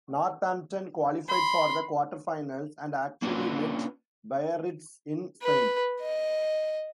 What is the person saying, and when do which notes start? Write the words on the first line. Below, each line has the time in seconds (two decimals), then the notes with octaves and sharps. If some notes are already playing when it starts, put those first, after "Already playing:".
Northampton qualified for the quarter-finals and actually met Biarritz in Spain.
1.29 B5 C6
3.22 A#3 C#4 D4 F4 G#4 B4
5.42 B4
6.01 D#5